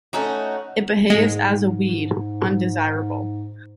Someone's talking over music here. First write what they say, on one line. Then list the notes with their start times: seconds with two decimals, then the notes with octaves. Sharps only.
It behaves as a weed, undesirable.
0.13 A3 C#4 D#4 F#4
1.10 G#2 G#3